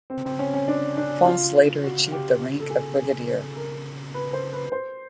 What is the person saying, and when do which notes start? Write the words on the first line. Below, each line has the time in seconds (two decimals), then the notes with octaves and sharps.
Foss later achieved the rank of brigadier.
0.10 C4
0.25 C4
0.39 C#4
0.53 C#4
0.68 D4
0.97 D4
1.26 F4
1.84 F#4
2.12 G4
2.60 A4
2.70 G#4
2.99 G#4
3.56 A#4
4.14 B4
4.33 C5
4.53 B4
4.72 C5